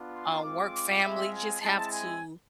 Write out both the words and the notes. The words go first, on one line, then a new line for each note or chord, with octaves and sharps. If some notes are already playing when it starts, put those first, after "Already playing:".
a work family, just have to
Already playing: B3 D4 F4
C6
G#3 C4 F4 D6
G#3 C4 F4 E5
G#5
G#3 C4 E4 A5
G#5